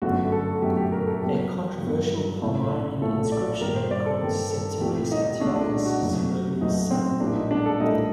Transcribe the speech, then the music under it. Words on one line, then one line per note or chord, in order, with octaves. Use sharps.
A controversial Palmyrene inscription records Septimius Antiochus, "Zenobia's son".
G1 F#2 D3 A3 F#4
A4
G1 F#2 D3 A3 G4
G4
A#4
A4
G1 G2 F#3 A#3 G4
G1 G2 F#3 A#3
A#1 A2 A3
A#1 A2 A3 A4
D5
G2 D#3 G3 A#3 A#4
C5
D5
A4
G2 D#3 G3 A#3 G4
A4
C2 A#2 A3 G4
D#4
C2 A#2 A3 D4
D4
D4
F#4
F#1 F#2 F#3 A3
F#1 F#2 F#3 A3 D#4
C4
A#1 A2 G3 A#3 D4
D#4
D4
A4
A#1 A2 G3 A#3 D#4